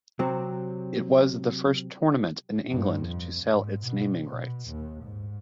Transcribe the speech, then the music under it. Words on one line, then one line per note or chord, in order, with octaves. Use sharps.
It was the first tournament in England to sell its naming rights.
C3 F#3 C4
G2
F2
G#2
B2
B2
D#2
G#2